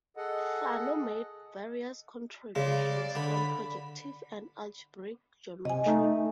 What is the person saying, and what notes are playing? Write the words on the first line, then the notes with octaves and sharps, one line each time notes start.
Fano made various contributions on projective and algebraic geometry.
G#4 A4 D#5 F#5
C#3 G#3 D5
D3 B5
C3 D#5 G#5
A3 D#4